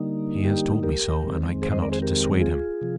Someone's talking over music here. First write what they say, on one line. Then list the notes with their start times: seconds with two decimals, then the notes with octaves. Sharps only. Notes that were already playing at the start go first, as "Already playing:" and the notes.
He has told me so, and I cannot dissuade him.
Already playing: D3 G3 A#3 D#4
0.45 G4
0.83 G4 A#4
1.23 F2 D#3 G#3 C4
1.62 G#4 C5
1.72 C5 D#5
1.82 A#4 D5
1.92 G#4 C5
2.02 G4 A#4
2.41 F4 G#4
2.82 C3 F3